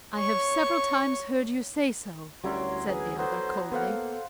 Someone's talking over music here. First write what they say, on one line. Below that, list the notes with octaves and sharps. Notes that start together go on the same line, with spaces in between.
"I have several times heard you say so," said the other, coldly.
C#5 C#6
D2 F#3 G3 C#4 E4 A#4 C#5 C6
G#4 B4
F#3 B3 A4 C5
A#3 B3 A4 C5 F5 F#5